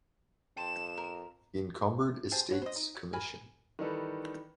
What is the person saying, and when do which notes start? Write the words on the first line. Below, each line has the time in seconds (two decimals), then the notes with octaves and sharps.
Incumbered Estates Commission.
0.57 F2 G5 A5 C6 E7
0.97 A#4
2.31 G4 G#4 C5 A5
2.49 D3 C5 C#5 F#5
2.62 C5 D#5
2.76 D#4
2.95 F#3
3.13 A#4 G#5 B5
3.79 D#3 E3 G3 D#4 A4 B4